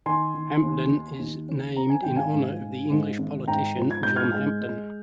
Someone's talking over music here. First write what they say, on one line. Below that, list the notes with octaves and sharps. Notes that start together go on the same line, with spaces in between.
Hampden is named in honor of the English politician John Hampden.
D#3 G#5 C6
D#3
D#2
D#3
D#2
C#4
C4 A#5
G#5
G#1 G5
F5 G#5
G#2
G#2
G#2
G#1
G#2 G5 A#5
F3
G#6
G#2 G6
F6 G#6
G#3
G#3